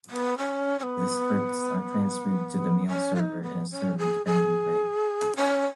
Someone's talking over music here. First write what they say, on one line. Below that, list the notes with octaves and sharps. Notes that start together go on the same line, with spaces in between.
The scripts are transferred to the mail server in a server-dependent way.
B3
C#4
C#4
B3
C#4
F4
D#4
B3
C#4
G#4
G#4
C#4